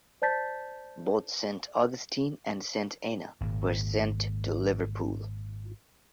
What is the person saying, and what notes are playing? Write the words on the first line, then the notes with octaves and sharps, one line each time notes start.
Both "St Augustine" and "St Anna" were sent into Liverpool.
C5 D5 A5 G6 A6 B6
G#1 A#2